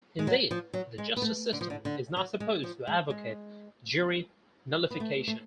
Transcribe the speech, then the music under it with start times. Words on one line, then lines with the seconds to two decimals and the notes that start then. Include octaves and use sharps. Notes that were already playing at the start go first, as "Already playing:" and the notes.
Indeed, the justice system is not supposed to advocate jury nullification.
0.19 G#3
0.27 F#3
0.51 F3
0.74 F#3
0.98 G#3
1.16 B3
1.22 A3
1.53 D3
1.61 F3
1.70 D3
1.85 D3
2.17 F#3
2.40 G#3
2.63 F3
2.87 G#3
3.10 G#3
4.90 B3
5.00 A3
5.28 A3